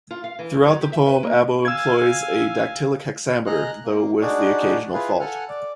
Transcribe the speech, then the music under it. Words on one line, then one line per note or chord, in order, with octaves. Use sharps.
Throughout the poem Abbo employs a dactylic hexameter, though with the occasional fault.
F4
F5
E3
F#2
F#3
G4
E5
B4
A#3
F5 G#5 E6 G#6
G#4 D#5 A#5 F6 F#6
A#3
D4 D#4 F#4 G#4 D5
E4 F4 G#4 B4 F5
A4 F#5 G#5 F6
D5